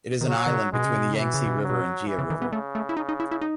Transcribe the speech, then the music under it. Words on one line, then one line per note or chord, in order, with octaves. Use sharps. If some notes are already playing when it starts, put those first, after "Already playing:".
It is an island between the Yangtze River and Jia River.
D#3
C#3 F#3
D#3
C#3
B2 G#3
C#3
B2
C#3
B2 E3
C#3
B2
C#3
F#3
B2
E3
C#3
D#3
B3
C#3 A3
A3
E4
C#3 D#4
D#4
E4
E4
D#4